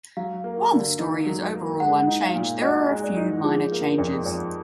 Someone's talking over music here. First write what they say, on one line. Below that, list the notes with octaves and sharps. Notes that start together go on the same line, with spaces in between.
While the story is overall unchanged, there are a few minor changes.
F#3 F5
A#3
D3
D#4
F#3
A#3
G#3 F#5
D#4
F5
A#2
F#4 D#5
G#3
D5
D#4
F3 G#4
A#3
F2
F2